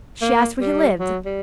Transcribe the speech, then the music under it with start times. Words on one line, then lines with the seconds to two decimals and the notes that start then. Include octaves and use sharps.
She asked where he lived.
0.22 A#3
0.60 G3
1.00 F#3
1.25 G3